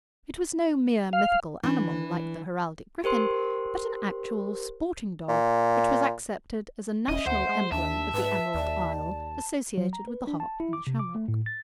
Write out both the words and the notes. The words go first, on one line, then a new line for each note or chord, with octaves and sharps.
It was no mere mythical animal like the heraldic griffin, but an actual sporting dog which was accepted as a national emblem of the Emerald Isle, associated with the harp and the shamrock.
F5
E3 D4
G4 A#4 C5 C6
A#2
E1 C#4 D#5 E5
D2 C5 F#5
G#3
D#2 D4 E5 A5
G#2 B4
D#2 D5
F#3
A#5
B4
D4
A5
E4
D6
C3
D6
A3
A2
A6